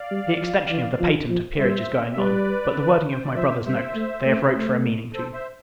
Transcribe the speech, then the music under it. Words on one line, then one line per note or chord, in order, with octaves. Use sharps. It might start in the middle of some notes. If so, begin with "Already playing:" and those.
The extension of the patent of peerage is going on; but the wording of my brother's note, they have wrote for a meaning to.
Already playing: D5 F5
G3
F3
E3
F3
F3
G3 C5 E5
E5
G3 B4 D5
C5
D5
F3 C5 E5
G3 C5 E5
A3
A3
A3
A4 C5
C5 E5